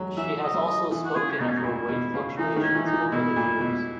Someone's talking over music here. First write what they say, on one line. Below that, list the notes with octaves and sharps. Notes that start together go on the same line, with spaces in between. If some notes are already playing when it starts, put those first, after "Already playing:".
She has also spoken of her weight fluctuations over the years.
Already playing: F#3 G#3
E3 E5
D#5
F#3
D#5
E3
F#4
C#3 G#4
C#4
B2 D#4
C#4
D#4
A#2 E4
B2
C#3
E3 D#4
D#3
C#4
E3
D#4
E3
B2 E4
A#2
B2